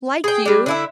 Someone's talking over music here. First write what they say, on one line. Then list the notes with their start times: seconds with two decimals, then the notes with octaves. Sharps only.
Like you?
0.24 G#4 G5
0.45 G3 D4
0.66 D3 E4 E5